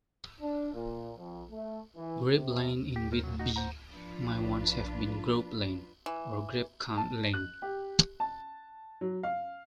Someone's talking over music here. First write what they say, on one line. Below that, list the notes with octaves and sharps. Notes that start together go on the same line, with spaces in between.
Grape Lane in Whitby may once have been Grope Lane, or Grapcunt Lane.
D4
A#2
F2
A3
E3
C3
G4
G#2 A#4 C5
A#2 F#3
D#4 F#4
C5 F#5 A#5
F3 D4 F4 B4
E3
A5
F#6
G4
A5
F#3
F5